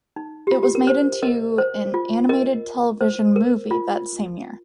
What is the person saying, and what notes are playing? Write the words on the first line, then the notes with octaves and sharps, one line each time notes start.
It was made into an animated television movie that same year.
D#4
G4
F4
G4
A#4
C5
A#4 D#5
C5
F4
A#4 D#5
C5
A#4
F4